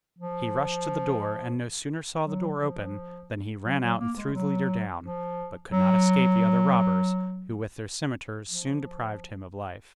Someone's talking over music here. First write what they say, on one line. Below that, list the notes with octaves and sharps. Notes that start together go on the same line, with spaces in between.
He rushed to the door, and no sooner saw the door open, than he ran out and threw the leader down, but could not escape the other robbers, who with their cimeters soon deprived him of life.
F3
F#3
F3
F#3
F#3
A#3
G#3
F#3
F3
F#3
F3